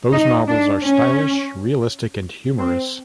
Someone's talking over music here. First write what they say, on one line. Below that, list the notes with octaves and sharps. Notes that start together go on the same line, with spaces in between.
Those novels are stylish, realistic and humorous.
D#4
D4
C#4
C4